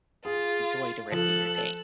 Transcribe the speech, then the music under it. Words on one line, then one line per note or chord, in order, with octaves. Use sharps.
enjoy the rest of your day.
F4 G#4
F3 A4 F#6